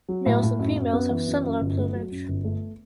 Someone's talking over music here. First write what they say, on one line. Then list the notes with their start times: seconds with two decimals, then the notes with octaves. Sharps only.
Males and females have similar plumage.
0.09 F#3
0.26 A2
0.43 A2
0.59 F#2
0.76 F#2
0.93 B3
1.10 E3
1.27 F#2
1.44 F#2
1.61 G1
1.78 A3
1.94 F#3
2.11 F#2
2.28 G1
2.44 A3